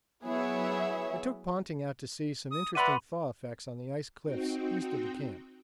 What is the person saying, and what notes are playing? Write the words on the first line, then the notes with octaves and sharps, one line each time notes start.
I took Ponting out to see some interesting thaw effects on the ice cliffs east of the Camp.
F#3 B3 E4 G#4 C#5 E5
D#6
B4 D5 E5 F#5 B5 C6 D#7
C4 D#4 F#4 G5